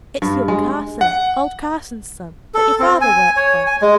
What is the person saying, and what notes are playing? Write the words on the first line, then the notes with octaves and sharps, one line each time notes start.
"It's young Carson, old Carson's son, that your father worked for."
G2
G#3
F#5
A4
C4
G#5
C#5
G#5
G#3